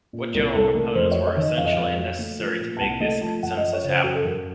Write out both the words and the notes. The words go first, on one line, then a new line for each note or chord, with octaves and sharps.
What general components were essential and necessary to make this consensus happen?
A#2
C2 A#4
C2 A4
A3 A#4
F2 C5
F#3 C#5
C#5
D#3
D#5
F2 F5
D#5
F5
F2
F#3
A3
F3
A#2
A5
C2 F#5
A3 D#5
F3 A5
F#2 F#5
D#5
F3
C#5
C#3
C5
F#2 F#4
A4
F#2 A#4